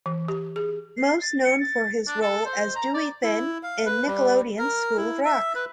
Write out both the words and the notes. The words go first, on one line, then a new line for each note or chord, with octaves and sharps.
Most known for his role as Dewey Finn on Nickelodeon's School of Rock.
E3
G4
G#4
C7
A6
C#7
A6
D4
A4
C5
A#5
D5
E4
F5
B4
G3
A#4
E4
E5
B4